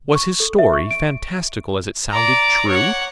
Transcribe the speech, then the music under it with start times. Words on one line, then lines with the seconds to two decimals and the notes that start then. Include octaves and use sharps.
Was his story, fantastical as it sounded--true?
0.15 C#6
0.40 A4
0.59 E5
0.73 C#6
0.91 D7
2.10 D5 A#5
2.68 C#5 F#5